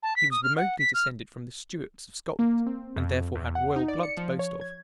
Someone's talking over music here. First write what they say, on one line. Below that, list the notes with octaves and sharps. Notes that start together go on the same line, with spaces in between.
He was remotely descended from the Stuarts of Scotland, and therefore had royal blood to boast of.
A5
B6
D#6
F6
F#5
B6
F6
A#3
C4
F2
E2
F#5
D#4
D5
C#7
F3
C#5
G#6